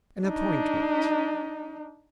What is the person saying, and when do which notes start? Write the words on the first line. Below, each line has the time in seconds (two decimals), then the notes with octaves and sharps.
"An appointment."
0.23 D4 D#4